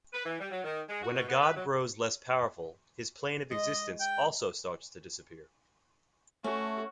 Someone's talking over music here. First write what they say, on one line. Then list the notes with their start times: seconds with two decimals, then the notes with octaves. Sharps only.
When a god grows less powerful, his plane of existence also starts to disappear.
0.13 B4
0.26 E3
0.39 G3
0.51 F#3
0.64 D#3
0.89 G#3
1.03 F#4
1.14 B2
1.28 B3
1.41 B4
1.55 F#3
3.51 G#3 G#4 D#5
4.00 G5
6.44 A3 C#4 F#4